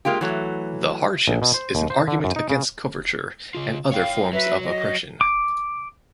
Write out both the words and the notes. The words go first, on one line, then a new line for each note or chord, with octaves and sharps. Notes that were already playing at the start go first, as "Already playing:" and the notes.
The "Hardships" is an argument against coverture and other forms of oppression.
G#3 A#3 F4 G4
E3 F#3 A3
A#1
B2
C5
D#2
C5
D3
F#2
D#4
C#3
C#3 F4
C#5 F5 G5
F#3 B4 E5
D#5
D6